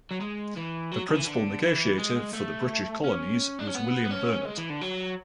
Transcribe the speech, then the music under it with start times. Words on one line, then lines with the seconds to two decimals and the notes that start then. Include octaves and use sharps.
The principle negotiator for the British colonies was William Burnet.
0.11 F#3
0.21 G#3
0.57 E3
0.92 F#3
1.09 D3
1.15 E3
1.27 D3
1.63 E3
1.97 G#3
2.33 A3
3.04 C#4
3.59 D4
3.67 C#4
3.75 B3
4.04 B3
4.11 C#4
4.45 G#3
4.58 E3
4.70 D3
4.81 F#3